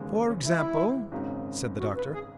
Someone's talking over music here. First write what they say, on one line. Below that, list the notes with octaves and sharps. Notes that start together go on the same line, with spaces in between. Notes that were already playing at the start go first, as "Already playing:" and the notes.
"For example?" said the Doctor.
Already playing: E1 D#2 C#3 G#3
A3
C#4
E4
G#1 F#2 C#3 G#3 D#4
F#4
B4
G#4